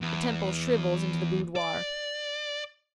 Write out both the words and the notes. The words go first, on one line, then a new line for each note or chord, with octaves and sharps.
The temple shrivels into the boudoir.
E2
D5